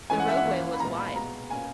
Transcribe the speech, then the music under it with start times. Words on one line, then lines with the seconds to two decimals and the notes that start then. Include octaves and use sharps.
The roadway was wide.
0.10 E3 G#3 C#4 G#5
0.20 F#5
0.28 E5
0.37 F#5
0.45 E3 A#3 C#4
0.73 B5
0.80 A#2 G#3 B3 A#5
0.97 B5
1.16 B2 G#3 B3 A#5
1.50 A#2 A#3 C#4 G#5